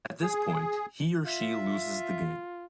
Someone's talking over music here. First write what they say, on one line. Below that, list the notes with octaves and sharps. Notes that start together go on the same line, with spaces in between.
At this point, he or she loses the game.
G#4
F4 E5